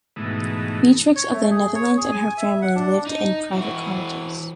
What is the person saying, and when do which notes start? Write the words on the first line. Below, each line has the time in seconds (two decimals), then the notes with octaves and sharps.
Beatrix of the Netherlands and her family lived in private cottages.
0.16 G#2 B2 E3 A3 D#4
1.16 C#5
1.32 A3
1.51 G#4
1.75 C#5
1.97 G#4
2.11 G#5
2.37 E5
2.62 F#5
2.75 D4
3.07 D#4
3.53 E3 F#4